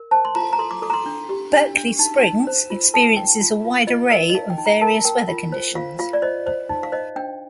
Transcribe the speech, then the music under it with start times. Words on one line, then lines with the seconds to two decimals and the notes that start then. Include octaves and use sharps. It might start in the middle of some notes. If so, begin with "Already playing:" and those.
Berkeley Springs experiences a wide array of various weather conditions.
Already playing: A#4
0.11 C5 A5
0.25 C6
0.35 F4 A#5
0.53 A#5
0.59 A4 C6
0.71 D6
0.82 A4 D6
0.90 A#5
0.93 C6
1.06 D4
1.29 G4
1.53 D4
1.77 D4
1.99 D#4
2.23 D#4
2.47 C5
2.70 F4
2.94 A4 A5
3.17 D#4 G5
3.41 F4
3.64 F4
3.87 F4 D#5
4.11 A#4 D#5
4.30 D#5
4.34 D#4 F5
4.50 G5
4.58 D#4
4.66 A#5
4.81 A#4 A5
5.05 A#4 G5
5.28 F4
5.52 C5
5.75 F4 F5
5.99 F4 F5
6.13 D5
6.22 C5 D#5
6.46 C5
6.69 D#4
6.83 F5
6.92 C5 D#5
7.16 D4 G5